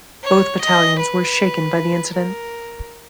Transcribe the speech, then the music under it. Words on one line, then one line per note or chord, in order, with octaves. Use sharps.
Both battalions were shaken by the incident.
C#5
D#5
B4
A#4